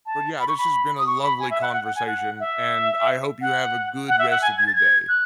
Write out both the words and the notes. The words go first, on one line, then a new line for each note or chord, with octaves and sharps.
But, yeah, this has been a lovely conversation, and I hope you have a good rest of your day.
A5
B5
C#6
B5
D#6
C#6
B5
G#5
E5
F#5
F#5
F#5
G#5
F#5
E5
F#5
F#5
E5
F#5
G#5
G#6
A6
G#6
F#6